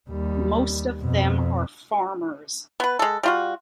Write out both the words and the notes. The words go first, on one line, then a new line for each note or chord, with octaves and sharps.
Most of them are farmers.
D#2 G3
F2 B2
B3 B4
G#3 A4
G3 F4 F#4